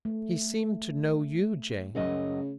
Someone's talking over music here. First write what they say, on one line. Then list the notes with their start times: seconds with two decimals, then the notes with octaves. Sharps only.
He seemed to know you, Jane.
0.05 A3
1.95 F#2 C#3 F#3 D#5